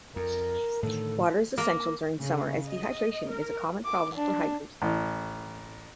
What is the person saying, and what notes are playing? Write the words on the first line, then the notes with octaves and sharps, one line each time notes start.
Water is essential during summer as dehydration is a common problem for hikers.
F2 A#4
A2 D3 D#3 A4
A#3
C#3
D#5
A#4
D6
D4
A1